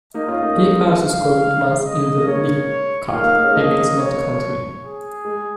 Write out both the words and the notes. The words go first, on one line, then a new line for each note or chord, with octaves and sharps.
He also scored once in the League Cup against Notts County.
A#3 D#4 D#5
C#4 F4
A#3 D#4
G#3 C#4
F5
G#3
D#5
A#3
G#3 C#4 C#5
F4
A#3 D#4 F5
A#3 D#4
A#3 D#4
G#3 C#4
F3 A#3 D#5
C#5
G#4
G#3